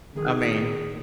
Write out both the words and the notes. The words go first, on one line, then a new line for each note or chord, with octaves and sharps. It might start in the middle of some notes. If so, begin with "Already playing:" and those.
I mean
D#3 G#4